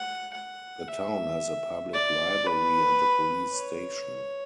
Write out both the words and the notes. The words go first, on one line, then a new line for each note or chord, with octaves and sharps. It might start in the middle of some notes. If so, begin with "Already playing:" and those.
The town has a public library and a police station.
Already playing: F#5
F#5
E5
D5
B4
C#5